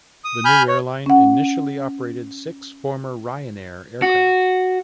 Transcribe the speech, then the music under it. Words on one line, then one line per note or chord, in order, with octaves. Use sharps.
The new airline initially operated six former Ryanair aircraft.
D#6
G#5 B5 F6 G6
C#5
C#4 F#5
F#4